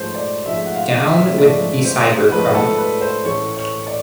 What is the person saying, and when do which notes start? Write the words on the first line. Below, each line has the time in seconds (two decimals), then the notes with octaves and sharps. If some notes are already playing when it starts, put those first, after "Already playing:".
Down with the cybercrud.
Already playing: G#2 F3 A3 C#4 C5
0.14 D5
0.45 G#2 F3 A3 C#4 E5
0.66 F#5
0.76 F5
1.08 E5
1.38 G#2 F3 A3 C#4 D5
1.84 C5
2.31 G#2 F3 A3 C#4 B4
2.55 A4
2.78 B4
3.01 C5
3.25 A2 E3 A3 C#4 C#5
3.56 C#5
3.87 D5